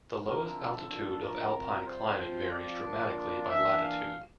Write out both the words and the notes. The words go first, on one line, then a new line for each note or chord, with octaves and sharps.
The lowest altitude of alpine climate varies dramatically by latitude.
D3 F3 C4 E4 A#4
A4
F3 A#3 D4 F4
A#4
C3 G3 C4 F4
C5
F3 C4 F4
D5
D3 F3 A#3 D4 F4
E3 A#3 D4 E5
F5